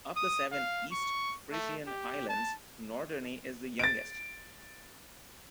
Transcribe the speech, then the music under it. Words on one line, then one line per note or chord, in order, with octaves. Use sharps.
Of the seven East Frisian islands, Norderney is the youngest.
D#6
F5
C#6
A3
G4
A5
A6 D7